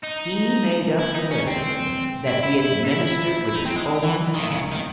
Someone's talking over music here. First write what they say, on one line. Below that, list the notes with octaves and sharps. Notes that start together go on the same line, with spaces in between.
He made up the medicine that he administered with his own hand.
D#4
E4
D#4
C#4
C4
E4
E4
E4
D#4
E4
E4
D#4
C4
G#3
E3
D#3
C#3
D#3